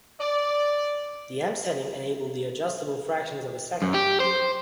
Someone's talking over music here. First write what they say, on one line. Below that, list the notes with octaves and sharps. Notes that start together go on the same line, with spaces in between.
The M-setting enabled the adjustable fractions of a second.
D5
F#2
G4
C5